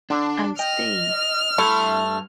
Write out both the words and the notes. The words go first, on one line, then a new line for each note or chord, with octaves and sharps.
I’ll stay.
D3 D4
D#5 G5 F6
G2 A3 E4 A4 C6